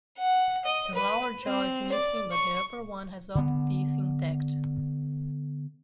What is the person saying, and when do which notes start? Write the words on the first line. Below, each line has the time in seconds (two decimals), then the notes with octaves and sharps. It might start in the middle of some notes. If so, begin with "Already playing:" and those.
The lower jaw is missing but the upper one has all the teeth intact.
0.19 F#5
0.65 D#5
0.95 B4
1.43 C4
1.92 D5
2.32 C#6
3.35 D3 B3